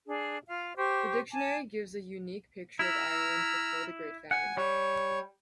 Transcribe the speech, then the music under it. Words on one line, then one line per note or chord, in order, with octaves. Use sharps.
The dictionary gives a unique picture of Ireland before the Great Famine.
D4 G#4
F4 F5
G4 C5 C#6
G#5 A5 D6
E4 A#5 E6 F6
F#5 G#5
G3 C#5